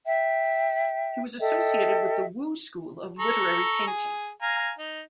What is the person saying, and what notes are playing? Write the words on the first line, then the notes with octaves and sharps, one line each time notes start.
He was associated with the Wu School of literary painting.
E5 G5
A4 D#5 E5 G5
A4 A#5 C#6
G#4
F5 G#5 A#5
D#4